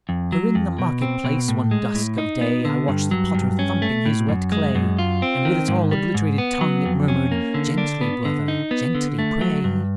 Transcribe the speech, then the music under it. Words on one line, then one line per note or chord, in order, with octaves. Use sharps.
For in the Market-place, one Dusk of Day, I watch'd the Potter thumping his wet Clay: And with its all obliterated Tongue It murmur'd--"Gently, Brother, gently, pray!"
F2
F#3
F2
B2
C4
B2
A2
G#3
A2
D#4
B3
D3
G2
F#3
G2
C#4
A3
A2
F#2
G#3
F#2
F4
C4
D#3
G#2
G3
G#2
B3
F#3
F2
C#4
A#3
D3
D4
B3
D3
D#4
B3
D3
A3
F#3
G2